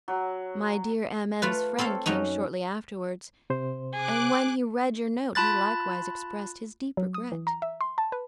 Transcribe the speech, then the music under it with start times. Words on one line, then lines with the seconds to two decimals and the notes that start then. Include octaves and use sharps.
My dear M---- M----'s friend came shortly afterwards, and when he read your note he likewise expressed his deep regret.
0.08 F#3
1.42 A3 F4 B4
1.79 C4 A4 C#5 F5
2.06 F#2 F#3 C#4 D#4
3.50 C3 C5
3.93 G#4 D6 F#6
5.35 F4 A5 B5 F#6 A6
6.97 F#3
7.14 D#6
7.32 E3
7.47 A#5
7.62 E5
7.81 C6
7.98 A5
8.12 B4